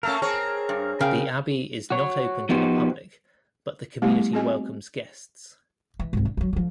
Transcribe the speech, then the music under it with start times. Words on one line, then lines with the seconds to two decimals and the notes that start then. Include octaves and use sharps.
The Abbey is not open to the public, but the community welcomes guests.
0.03 A3 A#3 C#4 A4 A#4
0.22 C4 G#4 A#4 C#5
0.69 G2
1.01 C#3 A#4 F5 G5
1.90 F#4 C#5
2.49 F3 B3 D#4 F#4 G4 C5
4.02 G3 A3 B3 E4 G4
4.33 C4 F#4 G#4 D#5 G#5
5.99 E3
6.13 C2 G#2
6.25 D3
6.37 F3 F#3
6.53 D3 F3